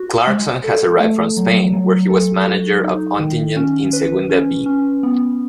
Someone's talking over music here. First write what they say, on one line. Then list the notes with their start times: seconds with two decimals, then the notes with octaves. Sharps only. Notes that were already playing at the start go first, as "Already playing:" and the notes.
Clarkson has arrived from Spain where he was manager of Ontinyent in Segunda B.
Already playing: F#4
0.27 G#3
0.64 A4
1.00 A3
1.37 F#3
1.73 F#3
2.10 A4
2.47 F#4
2.83 D#4
3.20 D#3
3.56 C#4
3.93 B4
4.29 C#4
4.66 C#4
5.03 B3